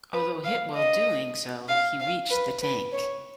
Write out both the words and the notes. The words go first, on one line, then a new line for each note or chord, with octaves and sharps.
Although hit while doing so, he reached the tank.
B4
F5
D#5
F5
F5
B4
B4
C#5